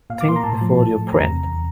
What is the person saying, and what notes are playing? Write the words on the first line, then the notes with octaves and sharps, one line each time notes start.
Think before you print.
A#2 F5
D6
A#3 C6
A#5
A2 A5
F3
A2
A3
E2 A#5
C3
E2